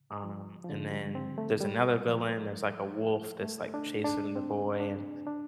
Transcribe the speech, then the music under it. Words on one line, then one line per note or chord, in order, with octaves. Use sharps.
um, and then there's another villain, there's, like, a wolf that's, like, chasing the boy, and,
F3
F3
D3
G3
C4
A3
G3
F3
A3
D4
D4
C4
D4
D4